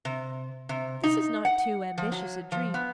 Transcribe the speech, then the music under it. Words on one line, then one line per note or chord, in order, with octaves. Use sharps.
This is not too ambitious a dream.
C3
C3
D#4
F#5
F3
F#3
F3
B3